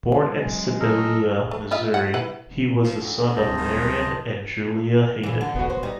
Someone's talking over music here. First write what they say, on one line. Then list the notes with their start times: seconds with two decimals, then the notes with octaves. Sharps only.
Born in Sedalia, Missouri, he was the son of Marion and Julia Hayden.
0.21 F#2 G#3
0.80 A4 A#4 D#5
1.51 A3
1.71 D#4 F4 E5
1.94 F#5
2.14 E4 B4 F#5
2.84 F3
3.00 D2
3.36 D1 C2 C5 D#5 A5
3.58 D#3
5.23 A#2 E3
5.41 D3
5.56 B3 F#4
5.70 C5
5.83 G3 D#4